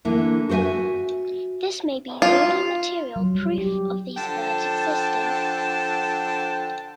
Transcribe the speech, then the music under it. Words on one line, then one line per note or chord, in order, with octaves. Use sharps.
This may be the only material proof of these birds' existence.
D3 E3 A#3 E4
F#4 G4 C5 E5 G#5
F4
F#3
G3
G4
D3 F3 G5 A5